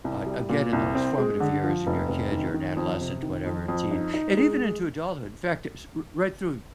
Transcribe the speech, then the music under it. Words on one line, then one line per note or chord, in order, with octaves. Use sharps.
a again, in those formative years and you're a kid you're an adolescent, whatever, teen, and even into adulthood, in fact, uh, s r right through
C2
G3
A#2
C2
C4
G#3
D3
F3
F1
F1
D#3
D#3
F2
C3
D#3
F2
F2
D#4
D#4
G#3